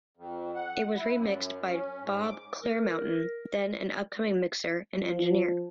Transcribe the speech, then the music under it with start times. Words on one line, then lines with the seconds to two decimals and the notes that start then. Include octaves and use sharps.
It was remixed by Bob Clearmountain, then an upcoming mixer and engineer.
0.17 F2
0.55 F#5
0.97 E4
1.17 F#2
1.69 C#4
2.01 G#2
2.23 D6
2.63 A#4
4.98 F3